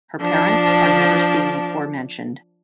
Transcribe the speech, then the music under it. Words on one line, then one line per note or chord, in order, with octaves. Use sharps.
Her Parents are never seen or mentioned.
F3 D4